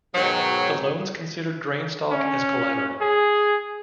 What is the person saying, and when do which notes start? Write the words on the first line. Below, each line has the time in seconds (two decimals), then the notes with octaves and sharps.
The loans considers grain stock as collateral.
0.14 G#2 B2 D#3 F#3
2.12 C#4
3.01 G#4